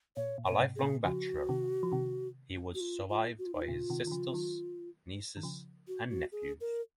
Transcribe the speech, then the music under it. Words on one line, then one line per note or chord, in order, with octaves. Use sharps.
A lifelong bachelor, he was survived by his sisters, nieces and nephews.
A#2 C#5
A#2
C#5
A#2
G#2 C3
G#4
A#2 C#3
C#3 F3 F#4
C3 D#3
F3
C3 D#3
F#4
F4
F4
F#4
F4
D#4
F4
A#2 C#3
C3 D#3
D#3
C#3 F3
D#3 F#3
D#3
C#3 F3
F#4
F#4
G#4
A#4